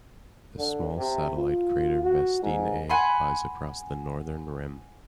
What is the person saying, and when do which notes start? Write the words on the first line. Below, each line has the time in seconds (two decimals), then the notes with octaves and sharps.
The small satellite crater Vestine A lies across the northern rim.
0.58 D3
0.97 C3
1.37 F4
2.03 F#4
2.42 G#2
2.90 F#5 G#5 B5 C6